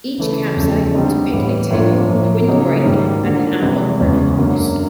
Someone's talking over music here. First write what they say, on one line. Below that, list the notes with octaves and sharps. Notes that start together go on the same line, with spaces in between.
Each campsite includes a picnic table, wind break and an animal-proof box.
C#3 E3 A3
E2 C#3 F3 A3
D3 G3 C4 D#4
A2 E3 G3 B3
A2 F3 A#3 D4 F4
A2 F3 A#3
C#3 F#3 A#3 D#4 G#4
G#2 D#3 G3 A#3
D3 G3 A#3
F2 C3 E3 G#3
E2 C#3 E3 G#3 C#4
F#2 D3 F#3 A#3